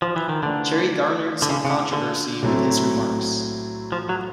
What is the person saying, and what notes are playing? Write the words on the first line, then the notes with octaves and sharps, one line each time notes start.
Cherry garnered some controversy with his remarks.
F3
E3
D#3
D3 E3 A3 D4
D3
C#3
C#3
D3
A2 F#3 A3 C4 E4
F3
F#3